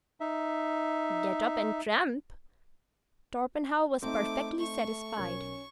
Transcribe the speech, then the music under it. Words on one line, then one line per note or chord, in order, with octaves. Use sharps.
Get up and tramp.' Torpenhow was perfectly satisfied.
D#4 E5
A3 C4 D#4 D6
A3 C#6
B1 C#4 A#4 G#6